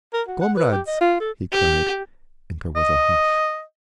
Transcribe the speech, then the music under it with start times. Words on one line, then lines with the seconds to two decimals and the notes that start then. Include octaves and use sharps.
"Comrades!" he cried and there was a hush.
0.13 A#4
0.27 F#4
0.41 F#5
0.57 B4
0.72 G4
0.87 D#5
1.01 F4
1.20 A4
1.52 G4
2.76 D#5